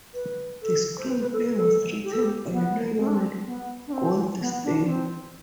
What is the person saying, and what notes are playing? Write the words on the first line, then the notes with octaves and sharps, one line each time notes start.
The screenplay was written by Lionel Goldstein.
B4
A4
C5
B4
B4
A4
B4
A4
G4
A4
G4
B3
C4
D4
C4
B3
D4
C4
B3
D4
D4
C4